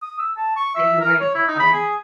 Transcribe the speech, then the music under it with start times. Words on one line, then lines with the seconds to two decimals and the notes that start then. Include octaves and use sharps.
that you weren't fine.
0.02 D#6
0.19 E6
0.37 A5
0.56 C#6
0.75 E5
1.01 A#4
1.21 C#5
1.35 E4
1.48 D#4
1.60 B5
1.73 G#4